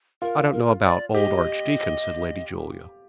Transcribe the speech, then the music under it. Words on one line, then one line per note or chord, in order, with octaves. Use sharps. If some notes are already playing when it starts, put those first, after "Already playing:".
"I don't know about old archdeacon," said Lady Julia.
F4 A#4
A#4
D5
G4 D#5